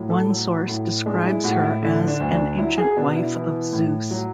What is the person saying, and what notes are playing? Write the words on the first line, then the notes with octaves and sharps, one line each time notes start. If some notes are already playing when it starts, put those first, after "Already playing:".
One source describes her as an ancient wife of Zeus.
Already playing: A2 F#3
A4
F#3
A2
G#3 D4
E4
A2 F#4
E4
D3 E4
D4
D2
D4
F#3 E4
G#4
B2 D4
E4
E3
A2
F#3